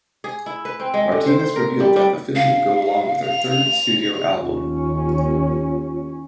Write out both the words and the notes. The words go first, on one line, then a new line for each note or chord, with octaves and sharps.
Martinez revealed that the film will go along with her third studio album.
G#4
E4
B4
C4
G#3
D3
C5
C5
A#4
G3
G3
F5
F7
D#2 C#4 F4